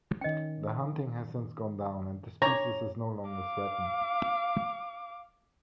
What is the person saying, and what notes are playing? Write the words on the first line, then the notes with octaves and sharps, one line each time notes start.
The hunting has since gone down and the species is no longer threatened.
D#3 C#4 D#5 G5
D4 C#5 A#5 D6
F5 D6